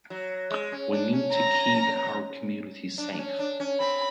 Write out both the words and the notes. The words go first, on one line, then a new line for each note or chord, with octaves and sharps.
We need to keep our community safe.
F#3
G#3
C#4
D4
C#4
C4 A#5
C#4
C#4
B3
D4
D4
C#4
D4
C#4
C4 B5